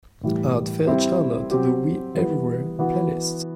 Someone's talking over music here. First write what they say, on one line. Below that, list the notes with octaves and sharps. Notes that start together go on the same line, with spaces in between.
Add Fair Charlotte to the We Everywhere playlist.
A2 E3 G3
G3 C4 E4
F#3 C4 G4
E3 G3 B3
E3 B3 F#4